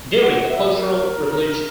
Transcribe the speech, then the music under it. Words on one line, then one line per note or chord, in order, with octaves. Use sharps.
During the Cultural Revolution.
F#5
E5
A#4